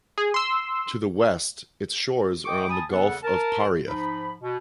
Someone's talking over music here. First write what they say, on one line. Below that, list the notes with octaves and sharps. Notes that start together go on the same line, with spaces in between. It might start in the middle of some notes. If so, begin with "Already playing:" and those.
To the west its shores are on the Gulf of Paria.
G#4
C6 E6
D#5 G5 C#6 D6
G#5 A5 B5 D#6
E2 C#3 B3 A4 F#5
A#4 A5
G#2 F3 D#4 B5
B2